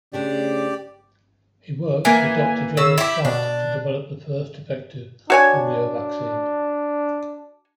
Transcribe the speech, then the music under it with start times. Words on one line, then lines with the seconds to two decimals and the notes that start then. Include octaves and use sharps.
He worked with Doctor Jonas Salk to develop the first effective polio vaccine.
0.13 C#3 A3 D4 G4 C5 D5
2.05 E3 A#3 G#5
2.77 C#3 E6
2.98 E4 G4
3.25 B2 D4
5.30 D4 F#4 C#5 G#5